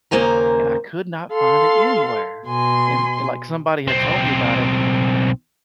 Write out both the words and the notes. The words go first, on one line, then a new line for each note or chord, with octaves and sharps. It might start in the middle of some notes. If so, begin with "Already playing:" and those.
and I could not find it anywhere. And and, like, somebody had told me about it.
D#2 C#3 A#3 C5 G#5 A#5
A4 F5 C6
B2 G#5 C6
B1 C4